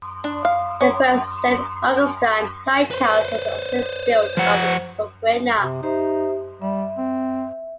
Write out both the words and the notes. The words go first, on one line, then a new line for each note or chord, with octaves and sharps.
The first Saint Augustine Lighthouse was also built of coquina.
D4
F5
C#4
B4 C5
F3 F#5
C3
D#4 G4 C5 E5
G3 E5
C4